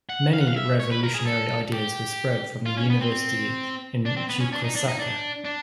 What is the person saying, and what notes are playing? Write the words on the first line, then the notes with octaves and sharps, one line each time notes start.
Many revolutionary ideas were spread from the University in Chuquisaca.
F#5
F5
F#5
F5
E5
C#5
B4
A#4
G#4
A4
G4
F4
C#4
B3
C4
D4
C4
B3
C#4
D4
D#4
D4
D#4
D4
D4